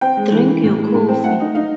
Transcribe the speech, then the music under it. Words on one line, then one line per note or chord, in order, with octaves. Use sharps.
Drink your coffee.
C4 G5
G#3
E3
E3
A2
G#3
A2
C4
A3 F#5
D#4
D#4 F5